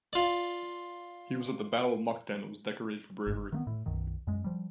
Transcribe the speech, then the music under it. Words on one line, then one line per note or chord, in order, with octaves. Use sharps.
He was at the Battle of Mukden and was decorated for bravery.
F4 D5
G1 G#2
D#3 A3 B3
A2
B1 F#2 D#3
F#2 G#3
F3 G3